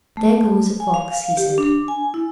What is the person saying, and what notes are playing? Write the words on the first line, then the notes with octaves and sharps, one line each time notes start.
"There goes a fox," he said.
A3
G#5
F5
G4
D4
G#5
E4